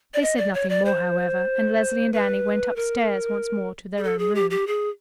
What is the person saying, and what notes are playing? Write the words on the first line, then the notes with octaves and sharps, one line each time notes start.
They said nothing more, however; and Leslie and Annie went upstairs once more to their own room.
D5
D#5
D5
C#5
D5
C5
B4
A#4
G#4
A4
G#4
G4
G4
G#4